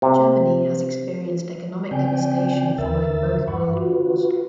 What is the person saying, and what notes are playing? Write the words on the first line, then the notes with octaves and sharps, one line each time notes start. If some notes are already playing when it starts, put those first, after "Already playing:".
Germany has experienced economic devastation following both World Wars.
C3
C#3 C4 D5 G5 G#5 G6
D#2 D3 A#4 E5 E6 A6
G2 F#5 B5 C#6
F4 F#4 B4